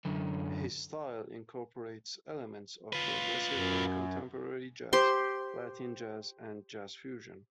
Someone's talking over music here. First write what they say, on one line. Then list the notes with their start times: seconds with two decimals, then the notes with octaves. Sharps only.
His style incorporates elements of progressive and contemporary jazz, Latin jazz, and jazz fusion.
0.06 F#2 D3
2.93 F4 B4
3.54 F#2
4.93 G4 C5 C6